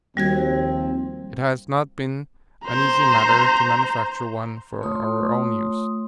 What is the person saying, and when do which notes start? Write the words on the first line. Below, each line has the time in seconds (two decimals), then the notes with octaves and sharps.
It has not been an easy matter to manufacture one for our own use.
0.17 D#2 F3 G3 C4 F#4 G#6
2.66 C5 A#5
4.81 A3 F4 C#5 C6 D#6